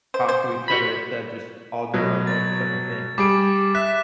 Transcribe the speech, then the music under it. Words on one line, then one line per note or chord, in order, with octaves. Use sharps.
talk to each other instead of just all do our own separate things.
C5
C5
F#4 G4 B5
B2 F#3
A6
G3 G#4 D6 D7
E5 F#6 B6 E7